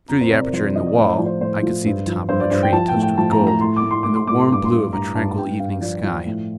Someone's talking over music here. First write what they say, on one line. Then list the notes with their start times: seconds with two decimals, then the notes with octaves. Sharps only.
Through the aperture in the wall I could see the top of a tree touched with gold and the warm blue of a tranquil evening sky.
0.08 F2 A#5
0.21 C5
0.31 C3 D5
0.42 A#4
0.53 F3 C5
0.64 D5
0.75 F3 D#5
0.87 D5
0.97 A2 C5
1.12 D5
1.19 F3
1.26 C5
1.41 A2 C5
1.63 F3
1.85 G2
2.07 F3
2.29 G2 C5
2.40 D5
2.51 G2 C5
2.63 G5
2.73 F3 A5
2.88 G5
2.95 A2
3.02 G5
3.18 F3 A5
3.31 A#5
3.40 A2
3.47 A#5
3.61 A2 C6
3.76 D6
3.83 A2
3.91 C6
4.03 A2 D6
4.16 C6
4.27 A2 D6
4.40 C6
4.50 G2 D6
4.65 C6
4.71 G2
4.93 G2 A#5
5.15 G2 A5
5.38 G2 G5
5.60 G2 F5
5.81 F3 D5
6.03 F3
6.26 A2